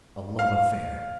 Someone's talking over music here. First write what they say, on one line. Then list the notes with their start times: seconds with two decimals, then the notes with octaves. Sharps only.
A love affair!
0.39 F5